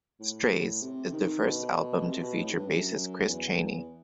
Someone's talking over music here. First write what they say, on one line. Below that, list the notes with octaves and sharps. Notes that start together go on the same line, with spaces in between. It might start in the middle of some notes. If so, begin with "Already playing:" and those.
"Strays" is the first album to feature bassist Chris Chaney.
A2
C3
D#3
B2
C3
B2
A2
G2
F#2
E2